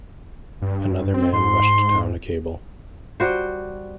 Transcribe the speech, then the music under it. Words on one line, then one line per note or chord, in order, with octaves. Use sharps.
Another man rushed down a cable.
G2
C4
G#2 C6
G3 F#4 C5